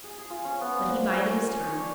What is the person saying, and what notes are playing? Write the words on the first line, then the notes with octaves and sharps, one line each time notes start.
But he bided his time.
G#4
G#4
F4
C#4
B3
C4
D4
C#4
G#5
G#5
C#5
D4